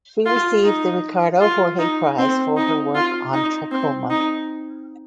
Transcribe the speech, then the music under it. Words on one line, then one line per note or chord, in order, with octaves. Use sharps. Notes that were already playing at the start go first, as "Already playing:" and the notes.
She received the Ricardo Jorge Prize for her work on trachoma.
F4
D#4
F4
D#4
C4
D#4
F4
D#4
C4
D#4